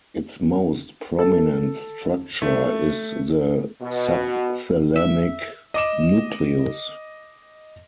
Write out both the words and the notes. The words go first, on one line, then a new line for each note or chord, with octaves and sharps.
Its most prominent structure is the subthalamic nucleus.
A4
A3
B2
E5
D#5 D6 E7